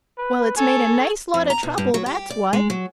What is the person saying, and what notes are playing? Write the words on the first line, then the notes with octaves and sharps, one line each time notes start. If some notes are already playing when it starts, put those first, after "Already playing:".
Well, it's made a nice lot of trouble, that's what.
B4
A4 C#5 G#5
F2
A#5
B2
G2
F#3
G4
D5
G#3
F#3